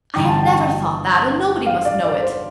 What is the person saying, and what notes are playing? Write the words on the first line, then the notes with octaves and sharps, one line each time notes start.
I have never thought that, and nobody must know it!
G1 G2 E3 G5
A5
G5
F5
D5
D5
C5